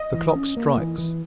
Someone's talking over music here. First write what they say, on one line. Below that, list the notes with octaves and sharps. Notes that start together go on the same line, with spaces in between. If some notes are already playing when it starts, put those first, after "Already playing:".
The clock strikes!
Already playing: D#5
E3
C#4
A#3
E3
E3